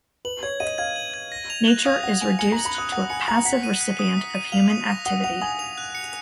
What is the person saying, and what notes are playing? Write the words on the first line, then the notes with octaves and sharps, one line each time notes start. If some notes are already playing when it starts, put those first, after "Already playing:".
Nature is reduced to a passive recipient of human activity.
B4 F#7
C#5 G#6
D#5 D#7
F5 G#6
F#7
G#6
A#6
F7
F#6
F5 D#6
F#5 A#6
G#5 F7
G#5 C#7
A#5
F#7
B5
D#6 F#6
F#5 D#6
G#5 C#7
A#5 F#7
F#5 B6
D#7
F#6
D#6
B6
D#7
F5 F7
D#6
A#6
F#5 D#6
F#5 F7
G#5 D#6
F7
F#6
C#7